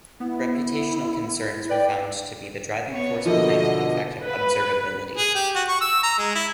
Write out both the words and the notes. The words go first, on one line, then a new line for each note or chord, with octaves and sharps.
Reputational concerns were found to be the driving force behind the effect of observability.
B3 E4
B4 D5 G5
B3 C#5
B2 D3 F3 A#3 E4 D#5
B4
G#4
G4
F#4
C#6
E6
A#5
G#3
E4